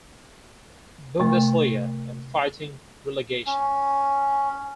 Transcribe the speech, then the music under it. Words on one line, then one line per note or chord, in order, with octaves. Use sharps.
Bundesliga and fighting relegation.
C3 A3
C#4